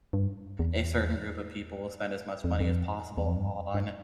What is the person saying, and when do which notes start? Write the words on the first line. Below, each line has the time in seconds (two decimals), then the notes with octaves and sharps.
a certain group of people will spend as much money as possible on
0.13 G2
0.59 E2
2.44 F2
2.52 E2
2.60 F2
3.18 E2
3.27 F2
3.36 G2
3.74 G2